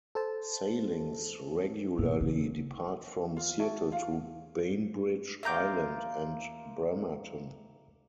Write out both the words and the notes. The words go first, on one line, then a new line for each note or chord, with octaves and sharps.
Sailings regularly depart from Seattle to Bainbridge Island and Bremerton.
A4 C5 A5
G#2 B2 A#3
C#3
F4
F#4 G#4 A4 E5
F4 F5
A#3 F4 E5 A#5 D6 G6